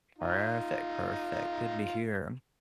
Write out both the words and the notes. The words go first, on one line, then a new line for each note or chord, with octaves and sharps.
Perfect, perfect, good to hear.
D#4 F4